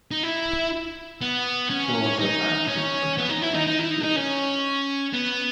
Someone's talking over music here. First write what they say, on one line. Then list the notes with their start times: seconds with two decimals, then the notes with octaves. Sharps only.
Claws are absent from both pairs of flippers.
0.11 D#4
0.23 E4
1.21 B3
1.70 C#4
2.19 D#4
2.69 C#4
3.18 B3
3.30 D#4
3.42 E4
3.54 D#4
3.67 D#4
3.79 E4
3.91 D#4
4.03 D#4
4.16 C#4
5.14 B3